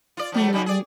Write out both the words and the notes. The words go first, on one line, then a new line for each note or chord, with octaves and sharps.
Yeah, me
F4 D5
F3 F#3 A3
C#3 G3 D#4
G#4 D5